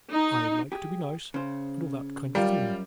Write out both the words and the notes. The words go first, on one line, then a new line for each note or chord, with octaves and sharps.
I like to be nice, and all that kind of thing.
D#4
G4 G#4
C#3 C5
F#2 G3 F4 A#4